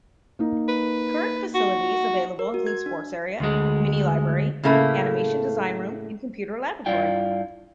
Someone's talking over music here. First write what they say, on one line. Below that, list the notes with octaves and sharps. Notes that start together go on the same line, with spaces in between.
Current facilities available include sports area, mini-library, animation design room and computer laboratory.
A#3 D#4
B4
F#4
A#4
F#4
G#6
D4
D2 G#3
A2 C#3 A3 A#3
G2 E4 F4 D5 G5